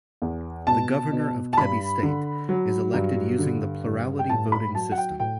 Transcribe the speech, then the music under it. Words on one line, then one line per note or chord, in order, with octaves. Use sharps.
The Governor of Kebbi State is elected using the plurality voting system.
E2
B2 A5
B2
A5
G2 B5
D3
F#3
G2
D3
G2
G5
A2 A5
B5
F#3 A5
F#5
G5
A2 G5